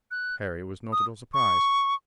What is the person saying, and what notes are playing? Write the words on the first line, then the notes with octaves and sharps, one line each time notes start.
Harry was not at all surprised.
F#6
D#6
C#6